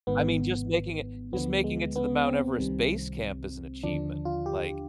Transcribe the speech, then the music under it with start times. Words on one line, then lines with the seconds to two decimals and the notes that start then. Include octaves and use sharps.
I mean, just making it, just making it to the Mount Everest base camp is an achievement, like,
0.07 G#1 G#2 D#3 B3
1.33 D2 D3 F3 B3
1.64 G#3
1.96 B3
2.27 C4
2.58 C2 C3 D#3 G3
3.83 D#2 D3 F3 D4
4.25 F4
4.46 G4